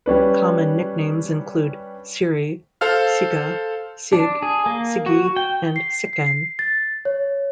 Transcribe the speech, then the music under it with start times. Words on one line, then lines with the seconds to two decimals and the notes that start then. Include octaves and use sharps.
Common nicknames include Siri, Sigga, Sig, Sigi, and Sickan.
0.06 G3 C#4 D4 B4
2.81 A4 C5 F5 F6
4.13 D4
4.42 G#4
4.66 A#3
5.06 F#4
5.36 G5
5.76 C7
6.13 C7
6.26 C7
6.59 A6
7.05 C#5